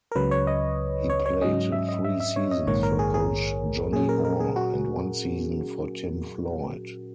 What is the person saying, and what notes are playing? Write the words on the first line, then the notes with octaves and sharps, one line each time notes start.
He played three seasons for coach Johnny Orr and one season for Tim Floyd.
A#4
C#2 C#3 F#3 B4
C#5
D#5
C#5
C#5
G#2 F#3 C#4 D#5
E5
D#5
E5
E5
C#5
D#5
A#1 G#2 D#3 A#3 C#5
A#4
G#4
G#4
A#2 F#3 C#4 G#4
A#4
A#4
G#4
F#4